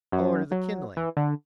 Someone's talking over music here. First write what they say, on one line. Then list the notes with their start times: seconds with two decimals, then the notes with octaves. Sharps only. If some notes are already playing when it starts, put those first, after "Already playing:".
I'll order the kindling!
0.12 F#2
0.51 F#3
0.97 E3
1.17 D3